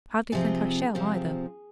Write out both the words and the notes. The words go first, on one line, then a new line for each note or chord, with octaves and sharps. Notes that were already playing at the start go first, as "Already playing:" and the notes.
Hardly think I shall, either.
C3 F3 C4 G#4
C3 F3 C4